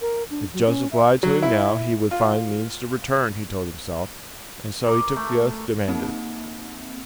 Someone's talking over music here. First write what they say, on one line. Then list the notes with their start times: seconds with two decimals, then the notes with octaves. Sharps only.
If Joseph lied to him now, he would find means to return, he told himself, and so he took the oath demanded.
0.01 A#4
0.30 D4
0.53 F#3
0.66 C#4
0.91 E5
1.23 F#3
1.42 E4
2.11 F4
4.87 A#4 D5
5.16 A3
5.88 A#3 C4 D#4